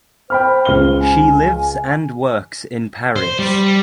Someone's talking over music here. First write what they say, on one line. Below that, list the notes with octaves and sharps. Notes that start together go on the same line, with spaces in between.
She lives and works in Paris.
C5 G5 B5 F6
C#2 F6 G7
G#5
C5
G3